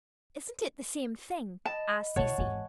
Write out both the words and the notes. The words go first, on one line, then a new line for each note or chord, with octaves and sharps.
"Isn't it the same thing?" asked Cecy.
D#5 A5 B5
B2 E4 C#5 F#5 A5 C#6
G#1 E2 G#5